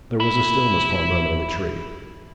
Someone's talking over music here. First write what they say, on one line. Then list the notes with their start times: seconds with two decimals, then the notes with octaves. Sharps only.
There was stillness for a moment in the tree.
0.20 E5 B5